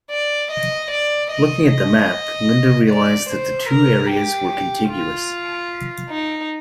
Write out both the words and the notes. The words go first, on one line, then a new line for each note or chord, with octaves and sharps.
Looking at the map, Linda realised that the two areas were contiguous.
D5
D#5
D5
D#5
D#5
D5
C5
A#4
G4
F4
D#4